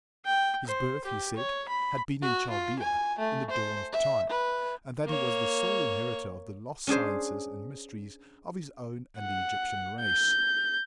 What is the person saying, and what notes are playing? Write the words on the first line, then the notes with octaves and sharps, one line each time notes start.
His birth, he said, had been in Chaldea, in the dawn of time; and that he was the sole inheritor of the lost sciences and mysteries of his own and the Egyptian race.
G5
C5
G4
C#5
B5
F#4
F4
G#5
A3
C5
E5
B4
A#3 C#5
C#4 D4 G#4 C5
F#5
G6